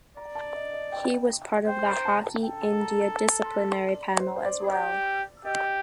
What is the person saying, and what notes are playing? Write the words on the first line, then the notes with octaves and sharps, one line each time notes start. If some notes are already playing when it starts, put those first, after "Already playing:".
He was part of the Hockey India disciplinary panel as well.
D5 A#5
A5
D#5
D#5
G5
C5 G5
A#5
A5
A5
A4 G5
A5
A#5
A#5
A#5
C6
C6
D5
C5
C5
D5
G4 D5
G4 D#5